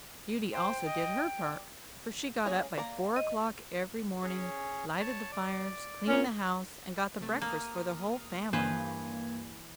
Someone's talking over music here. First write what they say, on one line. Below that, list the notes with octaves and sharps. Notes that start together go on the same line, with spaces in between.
Beauty also did her part, for she got up by four o'clock every morning, lighted the fires, cleaned the house, and got the breakfast for the whole family.
C5 G5
D#5
D5
A#3 C#4 G#4
A#3 D5 A#5
D#5
C#4 G#4 C#5
C#5 A5
D5
A#2 C#4
C3 A3
A#3 D#6 F6
G2 E3 A#3 B4 C5 G#6